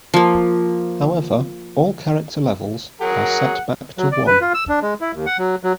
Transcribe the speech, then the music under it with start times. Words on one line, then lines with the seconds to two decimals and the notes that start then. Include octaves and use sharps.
However, all character levels are set back to one.
0.14 F3 A#3
3.01 F#3 G#4 A#4 F#5
3.98 F#3
4.12 D5
4.27 B4
4.41 F4
4.54 E6
4.69 D4
4.82 G#3
5.01 E4
5.14 D#2
5.26 F#5
5.39 F#3
5.63 F#3